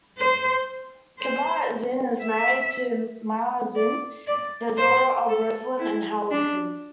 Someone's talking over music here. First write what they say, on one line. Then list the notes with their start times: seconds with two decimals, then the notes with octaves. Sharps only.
Kabat-Zinn is married to Myla Zinn, the daughter of Roslyn and Howard Zinn.
0.17 C5
1.19 C5
2.22 E5
3.76 D5
4.27 D5
4.78 C5
5.29 A4
5.80 E4
6.31 D4